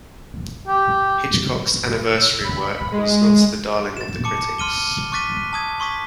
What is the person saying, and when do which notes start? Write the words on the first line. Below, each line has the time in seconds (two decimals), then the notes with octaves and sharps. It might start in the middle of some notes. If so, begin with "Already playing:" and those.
Hitchcock's anniversary work was not the darling of the critics.
0.68 G4
2.07 E6
2.44 B5
2.92 G#3
3.97 A6 E7
4.24 A5 D6 C#7
4.58 C6 F6 D#7 G7
5.12 C#6 D6 F#6 A6 B6 D#7
5.53 A5 D#6 G#6
5.80 C6 C#6 D#6 B6